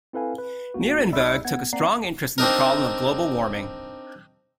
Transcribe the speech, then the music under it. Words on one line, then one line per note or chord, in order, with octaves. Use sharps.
Nierenberg took a strong interest in the problem of global warming.
C4 E4 A4 B4 F5 G#5
B4
G#1 A#3 F#4
C2 D#4 D5 E5 B5 E6
B3 F#5 G#6
A#3 C4 D5 F#5 A#5 C7
C4 D4 D#4 A#4